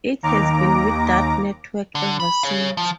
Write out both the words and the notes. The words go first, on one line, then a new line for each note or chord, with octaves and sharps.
It has been with that network ever since.
D#2 A#5 D6
D3
B5
C#5 F5
F3